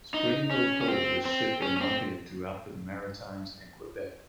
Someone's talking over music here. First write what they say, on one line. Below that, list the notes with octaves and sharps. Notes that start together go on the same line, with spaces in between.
Springhill coal was shipped and marketed throughout the Maritimes and Quebec.
D#4
C#4
C#4
C4
C4
C#4
C#4
C4